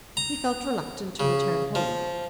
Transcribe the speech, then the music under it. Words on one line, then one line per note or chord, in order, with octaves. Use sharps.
He felt reluctant to return home.
A#5
C#3
F3